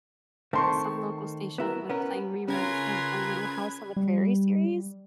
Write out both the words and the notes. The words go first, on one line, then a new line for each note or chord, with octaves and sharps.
some local station would play reruns of the Little House on the Prairie series.
D#3 A3 C4 A5 C6 C#6
B3 E4 A#4
B3 C#4 A#4
C#3 C#4 F4 A#4 B4 G#6
G3